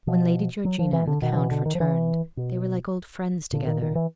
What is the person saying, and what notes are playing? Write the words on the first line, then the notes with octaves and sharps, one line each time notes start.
When Lady Georgina and the Count returned, they were like old friends together.
B2 F3
F#3
F3
E3
D3
B2 D#3
F3
E3
D3
D#3
F3
E3
B2
A#2 D3
D#3
D#3
E3